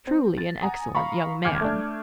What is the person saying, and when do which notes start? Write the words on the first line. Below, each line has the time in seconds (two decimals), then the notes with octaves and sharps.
Truly an excellent young man.
0.07 C4
0.38 A6
0.62 F#5 G#5 A#5 D#6
0.95 F5 A#5 B5 C#6
1.45 D#2 G#5 D6 F6 G6 G#6
1.61 A3 D4